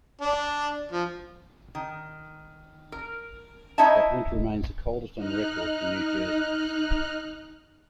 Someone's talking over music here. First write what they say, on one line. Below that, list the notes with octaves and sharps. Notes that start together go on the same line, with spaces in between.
That winter remains the coldest on record for New Jersey.
D4
F3
D#3
A#4
D#4 E4 C#5 D#5 E5 A5
D#4 F6 F#6